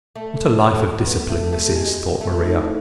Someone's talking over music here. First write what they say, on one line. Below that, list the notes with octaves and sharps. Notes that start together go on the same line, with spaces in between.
"What a life of discipline this is!" thought Maria.
A3
A4
B3
A3
A3
G4
G#3
F#4
A3
D#4
E4